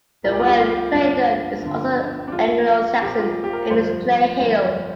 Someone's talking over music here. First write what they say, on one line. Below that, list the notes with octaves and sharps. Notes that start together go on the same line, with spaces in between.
The word Claydon is also Anglo Saxon, and means 'clay hill'.
C2 A#2 F3 A#4
G4
F4
G4
F4
G1 G2 F3 D4
G1 G2 D3 F3
D4
A#1 A#2 F3 F4
A#1 A#2 F3 G4
F4
G4
A#4
G1 F2 F3 C5
G1 F2 F3